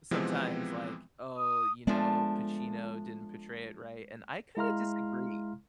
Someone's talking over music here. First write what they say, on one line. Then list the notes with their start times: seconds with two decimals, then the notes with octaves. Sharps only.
sometimes, like, "Oh," you know, "Pacino didn't portray it right." And I kinda disagree.
0.11 C3 E3 F3 G#3 B3 C4
1.38 D#6
1.87 F3 G#3 A3 B3 D4
4.57 G#3 E4 F5 A#5 C6 F6